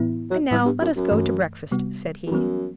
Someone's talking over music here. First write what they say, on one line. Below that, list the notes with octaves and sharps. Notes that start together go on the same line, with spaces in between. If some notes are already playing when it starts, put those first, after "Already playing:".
"And now let us go to breakfast," said he.
Already playing: A2 E3 B3 E4
F#3
A2 E3 G3 B3
G2
F#2
F#2
G2 E3 A3
C3 G3 B3 F#4
E2
F#2 E3 G3 B3